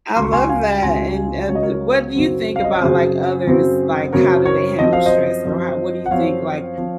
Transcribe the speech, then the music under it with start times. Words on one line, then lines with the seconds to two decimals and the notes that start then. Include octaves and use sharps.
love that, and and what do you think about, like, others like how do they handle stress or how what do you think? Like,
0.16 C#2 C#3 F#3 C6
0.24 C#6
0.33 G#5 C6
0.49 F5 G#5
0.82 C#2 C#3 F#3 G#5 C6
1.48 C#2 C#3 F#3 C#5
1.55 D#5
1.63 A#4 C#5
2.15 F#2 C#3 F#3 C4
2.56 F5
2.64 D#5
2.72 C#5
2.80 F#2 C#3 F#3 C4 G#4 C5
3.47 F#2 C#3 F#3 C4
4.13 F#2 C#3 F#3 C4 A#4 C#5
4.45 A#4 C#5
4.79 F#2 F3 C4 D#5
4.93 F5
5.06 C5 D#5
5.45 F#2 F3 C4
6.06 F#5
6.11 F#2 F3 C4 C#5 F5
6.78 F3 C4